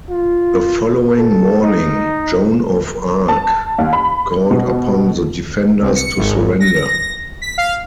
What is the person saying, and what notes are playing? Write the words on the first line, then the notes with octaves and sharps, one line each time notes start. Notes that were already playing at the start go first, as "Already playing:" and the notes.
The following morning Joan of Arc called upon the defenders to surrender.
F4
A4
D#4
A5
D#2
B5
B2
C2
C#7
G#1
A#6
B6
F5